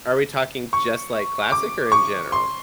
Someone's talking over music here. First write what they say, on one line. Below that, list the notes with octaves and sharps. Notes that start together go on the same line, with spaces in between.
Are we talking just like classic, or in general?
C#6
D6
C#6
C6